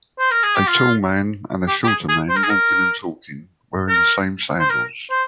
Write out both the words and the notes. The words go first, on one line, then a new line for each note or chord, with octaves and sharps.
A tall man and a shorter man walking and talking, wearing the same sandals.
C5
A#4
G#4
G4
F4
G4
G4
G#4
G#4
C5
A#4
G#4
A#4
A#4
C5
A#4
C5